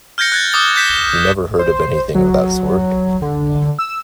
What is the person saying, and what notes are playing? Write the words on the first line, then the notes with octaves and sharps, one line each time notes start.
You never heard of anything of that sort?
F6 G6 G#6 A#6 C#7
F#6 G#6 A6
D6 D#6 A6 G7
G6 B6 E7
C5
F#3
D3
E6